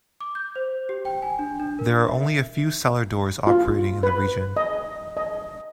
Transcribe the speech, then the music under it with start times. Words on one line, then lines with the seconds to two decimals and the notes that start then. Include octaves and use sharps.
There are only a few cellar doors operating in the region.
0.20 D6
0.35 G6
0.56 C5
0.89 G4
1.05 G5
1.22 G#5
1.39 D4
1.60 D4
1.79 A#4
2.08 E5
3.47 F4
4.03 B4
4.57 D#5
5.17 D#5